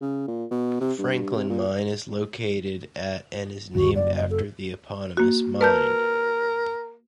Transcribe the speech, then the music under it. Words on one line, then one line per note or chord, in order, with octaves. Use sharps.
Franklin Mine is located at and is named after the eponymous mine.
C#3
A#2
B2
C3
G2
C3
A#2
G1 D#2 F#4
F#1 D5
D#5
A4
A#3 F#4
A#4 B4 A5 G6